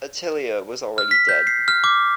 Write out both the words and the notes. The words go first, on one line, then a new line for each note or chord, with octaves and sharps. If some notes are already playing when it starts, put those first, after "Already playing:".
Attilia was already dead.
F6
B6
G6
C7
F6
D6